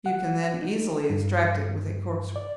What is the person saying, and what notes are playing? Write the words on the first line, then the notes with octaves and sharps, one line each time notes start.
You can then easily extract it with a corkscrew.
F#5
D#4
G2
D5